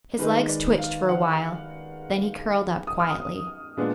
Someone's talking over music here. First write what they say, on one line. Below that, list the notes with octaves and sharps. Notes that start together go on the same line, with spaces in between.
His legs twitched for a while, then he curled up quietly.
D#3 G#3 D#4 B4
D5
F5
F#5
D#6
F6
D#6
A#2 G#3 B3 D4